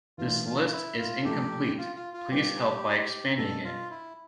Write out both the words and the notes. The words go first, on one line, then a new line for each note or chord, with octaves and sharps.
This list is incomplete; please help by expanding it.
E3 A3 D4 F4
F4
F4
E4
F4
C3 F3 A3 D4 G4 A4
F4
F4
F4
G3 B3 D4 F4 G4
B2 G3 B3 D4 A4
F4
E4